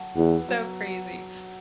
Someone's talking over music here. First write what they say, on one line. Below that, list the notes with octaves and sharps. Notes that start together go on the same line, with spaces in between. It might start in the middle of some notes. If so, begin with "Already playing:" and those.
It's so crazy.
Already playing: F#3 F#4 A4
E2 B3
F#3